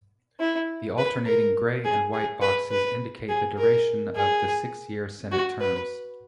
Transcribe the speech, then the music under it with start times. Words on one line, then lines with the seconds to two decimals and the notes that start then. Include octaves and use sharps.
The alternating grey and white boxes indicate the duration of the six-year Senate terms.
0.40 E4
0.98 B4
1.26 A#4
1.84 G#4
2.14 G#4
2.42 B4
2.71 B4
3.29 G#4
3.58 A#4
4.15 G#4
5.32 F#4
5.60 B4